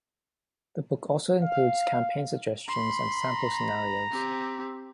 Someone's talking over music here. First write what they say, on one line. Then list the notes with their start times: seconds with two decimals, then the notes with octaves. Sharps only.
The book also includes campaign-suggestions and sample scenarios.
1.42 F5
2.68 B5 C6
3.10 A#5
4.11 C4 G4